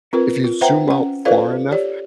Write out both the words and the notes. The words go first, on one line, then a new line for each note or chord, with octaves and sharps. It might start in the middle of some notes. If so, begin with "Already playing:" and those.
If you zoom out far enough,
C4 F4 A#4 B4
F4
B4 C5 E5 F#5 G5 A#5
C#4 F#5
F4 A4 B4 C5 D5 F5
G4 C#5 D5